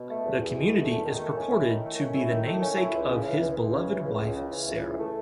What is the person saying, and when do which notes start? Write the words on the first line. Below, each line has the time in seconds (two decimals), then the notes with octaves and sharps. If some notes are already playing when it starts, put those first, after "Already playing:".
The community is purported to be the namesake of his beloved wife, Sara.
Already playing: B2
0.09 A3
0.25 E2
0.40 E2
0.56 B2
0.73 A3
0.88 E2
1.04 D#3
1.20 A3
1.36 C#4
1.51 E4
1.67 D#3
1.83 A3
1.99 C#4
2.15 E4
2.30 D#3
2.46 A3
2.62 C#4
2.77 E4
2.94 C#2
3.09 C#3
3.25 E3
3.41 C#2
3.57 C#2
3.73 C#3
3.88 E3
4.05 C#2
4.20 C#2
4.36 C#3
4.52 E3
4.68 C#2
4.83 E3
4.99 A3